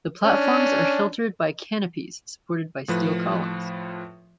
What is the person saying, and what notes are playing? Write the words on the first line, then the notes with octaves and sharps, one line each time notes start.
The platforms are sheltered by canopies supported by steel columns.
C#4 D4
A2 F3 B4